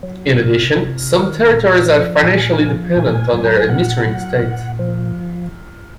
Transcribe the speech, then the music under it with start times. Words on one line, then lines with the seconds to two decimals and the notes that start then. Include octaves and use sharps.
In addition, some territories are financially dependent on their administering state.
0.03 F#3
0.39 C3
0.76 C3
1.13 D#3
1.49 A#2
1.86 F3
2.23 A#2 G#5
2.59 F3
2.96 A#2 G#5
3.33 F#3
3.44 A#5
3.57 G#5
3.69 A#2 F#5
4.06 F#3
4.43 A#2
4.79 F3